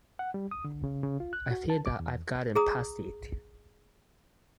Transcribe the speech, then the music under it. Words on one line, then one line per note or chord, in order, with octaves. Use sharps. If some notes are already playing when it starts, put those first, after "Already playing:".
I feel that I've gotten past it.
F#5
G3
D#6
D3
C#3
C#3
F4
F#6
F#4
A5
D6
E2
G#4 A#5 D#6